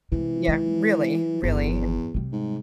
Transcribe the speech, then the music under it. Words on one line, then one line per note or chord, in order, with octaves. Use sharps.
Yeah, really really, and
C3 E3 G#3
G#3
G1 E2
C3 G3
G#2